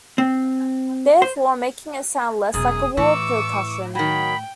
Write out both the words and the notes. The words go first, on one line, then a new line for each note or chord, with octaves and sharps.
Therefore, making it sound less like a wall percussion.
C4
C5
E1 F#2 B2 G#4 D#6
A2 E3 C#6 D6 E6
D#3 F#3 G5 B5